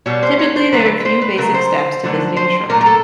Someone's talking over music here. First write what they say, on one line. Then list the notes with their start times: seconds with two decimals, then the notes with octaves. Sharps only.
Typically there are a few basic steps to visiting a shrine.
0.06 B2 G3 C#5
0.23 C5
0.39 C#5
0.56 C5
0.72 D3 F#3 A3 B4
1.00 B4
1.05 C5
1.22 B4
1.37 C#3 F#3 A3 A#4
1.54 C5
2.04 D3 F#3 A3
2.37 C5
2.69 A#2 F#3 A3 A#4
2.81 A#4
2.86 A4